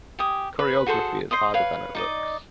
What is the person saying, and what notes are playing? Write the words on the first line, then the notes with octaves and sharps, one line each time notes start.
Choreography is harder than it looks.
G4 G#5 D#6
B4
F#4 G#4 A4 C5
C5 D#5 C6 D#6
B4 C#5 F5
D#4 D5 D#5